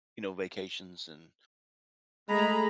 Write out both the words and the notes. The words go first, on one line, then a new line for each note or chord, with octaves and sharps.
you know, vacations, and
G#3 A3 G#4 A#5 B5